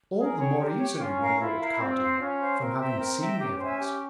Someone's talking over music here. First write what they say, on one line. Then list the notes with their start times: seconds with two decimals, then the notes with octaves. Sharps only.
"All the more easily, my lord cardinal, from having seen the events."
0.20 G#4 A#4
0.40 C#5 G5
0.60 G4 A#4
0.80 C#5 G5
1.00 C#4 F4
1.20 A#4 F5 A#5
1.40 E4 F4
1.60 A#4 F5 A#5
1.80 C4 F4
2.00 C5 F5
2.20 C#4 F4
2.40 C5 F5
2.60 C4 A#4
2.80 E5 G5 A#5
2.99 A#4
3.21 E5 G5 A#5
3.39 C#4 G4
3.59 C5 E5 G#5
3.79 G4